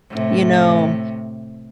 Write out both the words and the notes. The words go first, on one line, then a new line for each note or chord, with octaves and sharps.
You know,
A2 C3